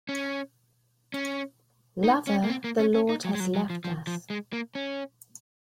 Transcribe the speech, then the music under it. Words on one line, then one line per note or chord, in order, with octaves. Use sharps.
Lover, the Lord Has Left Us...
C#4
C#4
D#4
C#4
A#3
C4
A#3
C#4
C#4
D#4
F#3
G#3
F#3
F#3
F3
F3
F3
G#3
A#3
C#4